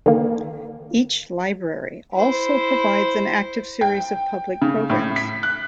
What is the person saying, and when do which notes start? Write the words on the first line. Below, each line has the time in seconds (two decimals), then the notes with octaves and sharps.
Each library also provides an active series of public programs.
0.06 D3 D#3 A#3
2.15 E4 C5
3.81 G5
4.62 C#3
4.90 A2
5.16 B6
5.43 F#6